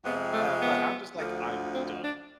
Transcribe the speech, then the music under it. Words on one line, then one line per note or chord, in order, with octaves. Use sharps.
Uh, but I'm just like, "I'm done,"
F2 C3 F3 G#3 B3
A3
B3
D2 D3 F3
C4
D4